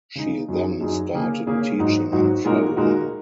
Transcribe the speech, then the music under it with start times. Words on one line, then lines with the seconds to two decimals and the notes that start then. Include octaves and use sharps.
She then started teaching and travelling.
0.15 C#3 G#3 D#4
0.49 F#2 F#3 D#4 G#4
0.81 F#2 F#3 D#4 G#4
1.14 C#3 A#3 C#4 G#4
1.47 C#3 A#3 C#4 G#4
1.79 G#2 F#3 D#4 F#4
2.12 G#2 F#3 D#4 F#4
2.45 A#2 G#3 D#4 F#4 A#4
2.77 A#2 G#3 D#4 F#4 A#4